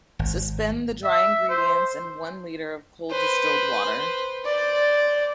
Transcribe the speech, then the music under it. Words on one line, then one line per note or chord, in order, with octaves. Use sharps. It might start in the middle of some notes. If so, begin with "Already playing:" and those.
Suspend the dry ingredients in one liter of cold distilled water.
G#1
E5
C5
B4 C5
C5 D5